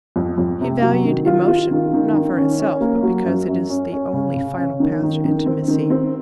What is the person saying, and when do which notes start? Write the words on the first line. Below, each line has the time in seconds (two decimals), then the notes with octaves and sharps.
He valued emotion--not for itself, but because it is the only final path to intimacy.
0.16 F2
0.38 F2
0.61 C3
0.82 F#3
1.05 D#3
1.26 F4
1.48 F4
1.71 D#3
1.93 D#3
2.14 D#3
2.37 C#4
2.59 C#4
2.81 A#3
3.03 F#3
3.25 F#2
3.48 F#2
3.69 C#4
3.92 C#4
4.13 C#3
4.36 C#3
4.57 C#4
4.80 D#3
5.02 D#3
5.25 D#3
5.46 C4
5.68 D#3
5.90 C4